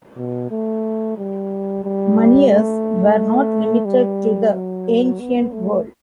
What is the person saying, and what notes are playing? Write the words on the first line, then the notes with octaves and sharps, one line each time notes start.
Moneyers were not limited to the ancient world.
B2
A3
G3
G3
A3
G3
F#3
B3
A3